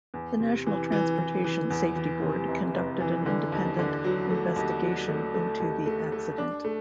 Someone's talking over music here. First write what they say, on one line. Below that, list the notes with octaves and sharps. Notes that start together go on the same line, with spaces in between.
The National Transportation Safety Board conducted an independent investigation into the accident.
E2
C3
E3
E3
E3
E3
E2
E3
C3
F1
F1
E3
D3
D#2
D3
F#3
A3
D#2
F#3
A3
A3
D#2
A3
A3
D4
A3